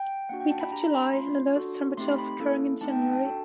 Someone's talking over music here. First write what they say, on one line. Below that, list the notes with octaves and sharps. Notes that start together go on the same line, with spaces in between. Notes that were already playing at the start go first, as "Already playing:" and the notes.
Week of July and the lowest temperatures occurring in January.
Already playing: G5
A#3 D4 F#4 F#5
G5
A5
B5
D4 G4 A#5
A#5
B5
B5
A3 C#4 F4 C6
D4 F#4 A4
A3 C4 D#4 G4 C6
B5
B5
A#3 C#4 E4 A4
A3 C4 D#4 A5
G5
G5
A5
D4 F#4 A4